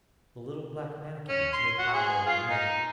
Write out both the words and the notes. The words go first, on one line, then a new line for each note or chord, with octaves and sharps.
The little black Mannikin has no power over me.'
C#4
C6
F#4
G#4
F4
D#4